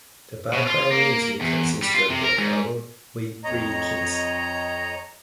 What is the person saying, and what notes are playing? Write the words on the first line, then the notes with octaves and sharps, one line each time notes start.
The background music consists of the carol "We Three Kings".
B2
F4
A#3
E2
G3
F4
C3
A#4
G#2
F2 C#5 D#5 A#5